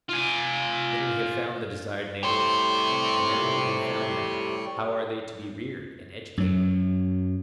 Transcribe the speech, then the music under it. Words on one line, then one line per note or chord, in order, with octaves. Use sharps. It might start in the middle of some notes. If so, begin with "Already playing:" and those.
Then we have found the desired natures; and now that we have found them, how are they to be reared and educated?
F4 G#5
A2 G3 G4 C5 C#5
F#2 F#3